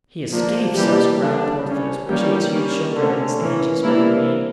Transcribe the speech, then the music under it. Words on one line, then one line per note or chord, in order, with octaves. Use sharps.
"He escapes us," growled Porthos, pushing his huge shoulder against the hinges, but in vain.
F3 A#3 D4
E3 G3 A#3 D4 G4
D3 G3 D4
G3
C#4
E3 G3 A#3 C#4 G4
G3 A#3 C#4
D3 A3 C#4
E3 A#3 C#4
E3 G3 A#3 D4 E4